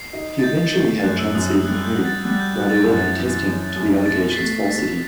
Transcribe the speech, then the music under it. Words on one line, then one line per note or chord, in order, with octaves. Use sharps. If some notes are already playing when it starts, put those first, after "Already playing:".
He eventually had John C. Calhoun write a letter attesting to the allegation's falsity.
Already playing: C7
D#4
A6
D#4 G6
A3
F#2 F#6
E6
F#2 D#6
E6
G3 F#6
G6
F#4
A6
G3 F#6
G6
F#4 G6
A6
F#2
E3
F#2
F#2
B2 A6
B6
A3 C7
B2 B6